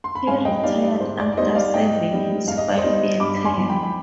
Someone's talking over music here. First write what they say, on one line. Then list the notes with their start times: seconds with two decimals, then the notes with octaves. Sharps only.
He retired after serving his five-year term.
0.04 C6
0.15 B5
0.27 G#2 F5 G#5
0.45 D#5 G5
0.63 G3 B3 D#4 D5 F5
0.82 D5
1.00 G#2 C5
1.19 D5
1.32 D5
1.37 G3 B3 D#4 C5 D#5
1.55 D5 F5
1.74 G#2 D#5 G5
2.11 G3 B3 D#4
2.47 G#2 F5
2.58 D#5
2.68 D5
2.77 C5 D#5
2.83 G3 B3 D#4
3.20 G2 B5 D6
3.45 G#5 C6
3.58 F3 B3 D#4
3.69 G5 B5
3.83 B5